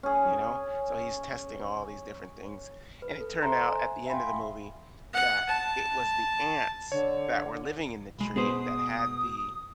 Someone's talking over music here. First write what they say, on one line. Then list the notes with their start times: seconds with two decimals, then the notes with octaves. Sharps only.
you know? So, he's testing all these different things, and it turned out at the end of the movie that it was the ants that were living in the tree that had the
0.03 C#4 G#4
3.02 B4
3.20 A4
3.42 A4 C5 E5 A5 A#5 C6
3.68 G#5
4.06 E5 F5 G5 G#5 B5 C6
5.14 F#5
5.49 A5
6.92 D3 C#5
8.18 B1 G#3 B5
8.36 B2 G#4 B4 C5 D#6